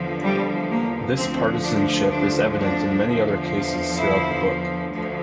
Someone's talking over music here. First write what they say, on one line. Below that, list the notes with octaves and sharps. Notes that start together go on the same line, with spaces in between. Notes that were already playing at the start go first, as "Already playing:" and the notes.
This partisanship is evident in many other cases throughout the book.
Already playing: E2 D3 F3
G3
A#3
D2 D3 F3 C4
D4
D4
D4
E2 D3 F3
E4
D2 D3 F3